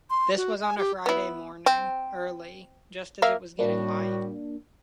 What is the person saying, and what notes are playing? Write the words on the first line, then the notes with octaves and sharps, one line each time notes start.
This was on a Friday morning, early — just as it was getting light.
C6
F#4
G#5
G4
B3 E4
C4
A#3 E5 F5
A2 G3 A#3 D4 F#4